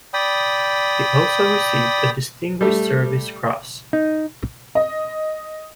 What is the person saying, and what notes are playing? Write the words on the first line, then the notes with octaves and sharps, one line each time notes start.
He also received a Distinguished Service Cross.
D5 G5 B5 D#6
G3 A3
D#4
D#5